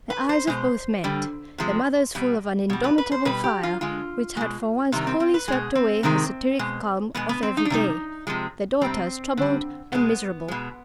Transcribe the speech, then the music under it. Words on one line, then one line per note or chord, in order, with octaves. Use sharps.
The eyes of both met--the mother's full of an indomitable fire which had for once wholly swept away her satiric calm of every day; the daughter's troubled and miserable.
B4
C5
B2 G#3 C5
D3 G3
C3 F3 G#3
B2 G3
B2 G3
B4
B4
C5
B2 G3 B4
G4
F4
D3 G#3 F4
B2 G#3
C3 D#3 G3 D#4
C4
C4
B4
B2 G#3 G#4
C4
C3 D#3 G#3 C4
B2 G#3
B2 G#3 B3
B3
C4
D#4
D4
C3 G3 D#4
C3 F3 G#3
C3 G3 C4
D3 G3
B2 G#3 B3
B2 G#3